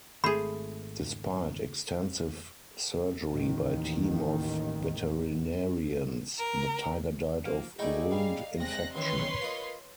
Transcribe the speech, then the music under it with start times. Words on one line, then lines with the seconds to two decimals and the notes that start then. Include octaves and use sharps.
Despite extensive surgery by a team of veterinarians, the tiger died of wound infection.
0.24 G#1 A3 G#4 C5 B5
3.30 A1 D#2 D#3
6.38 A#4
7.45 F3 A#3
7.79 A3 D#4 E4 G#4 D5 G5
8.11 G3 F5
8.60 C3 G#3 F#6 A#6
8.95 G2 D#3 E3 C#4 B4 C#5 C6
9.41 F4 A#4 D#5